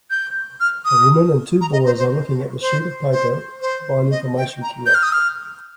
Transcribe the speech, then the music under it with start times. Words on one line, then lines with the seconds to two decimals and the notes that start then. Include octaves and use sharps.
A woman and two boys are looking at a sheet of paper by an information kiosk.
0.11 G6
0.60 F6
0.85 D#6
1.61 A#5
1.73 D#5
1.86 C5
1.98 C5
2.61 C5
3.12 C5
3.62 C5
4.11 D#5
4.37 G5
4.62 A#5
4.86 G6
4.95 F6
5.03 D#6
5.12 F6